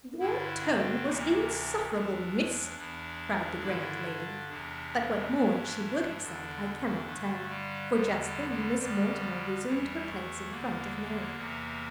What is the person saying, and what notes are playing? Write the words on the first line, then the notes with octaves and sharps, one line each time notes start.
"Your tone was insufferable, miss!" cried the grand lady; but what more she would have said I can not tell, for just then Miss Mortimer resumed her place in front of Mary.
G2 D3 E4
C4
D2 C3 E3 A#3
D4
E2 E3 D4
E2 E3
G2 D3 E4
D4
E2 C3 E3 D4
G2 E3
E2 D3
G2 D3 A3
G3
E2 D3 G3
G3
G3
F2 D3 G3
E2 E3 G3
A3
E2 D3 A#3
E2 C3 E3